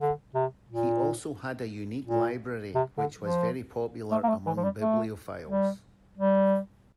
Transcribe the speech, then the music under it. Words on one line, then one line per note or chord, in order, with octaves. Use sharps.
He also had a unique library which was very popular among bibliophiles.
D3
C3
A#2
A#2
C3
D3
F3
A3
A#3
A3
E3
F3
G3
A3
G3
G3